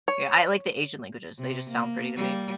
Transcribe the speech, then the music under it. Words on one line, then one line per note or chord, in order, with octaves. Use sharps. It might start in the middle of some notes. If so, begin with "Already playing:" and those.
Yeah, I like the Asian languages, they just sound pretty to me.
C#5
C3
A#3
G3 A#3